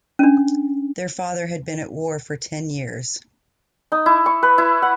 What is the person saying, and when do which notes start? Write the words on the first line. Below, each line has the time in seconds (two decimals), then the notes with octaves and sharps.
Their father has been at war for ten years.
0.19 C#4 D4
3.92 D#4
4.06 E4
4.26 C#6
4.43 B4
4.58 E4
4.82 F#5